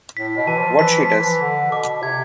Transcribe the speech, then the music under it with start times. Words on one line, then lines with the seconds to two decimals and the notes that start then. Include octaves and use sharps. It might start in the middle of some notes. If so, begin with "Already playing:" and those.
What she does !
0.17 A2 B6
0.37 B2
0.47 E3 A5
0.58 F3
0.79 E3 B6
0.99 F3
1.09 B6
1.20 E3
1.41 D3 A5
1.72 B2 D6
2.02 C3 G#6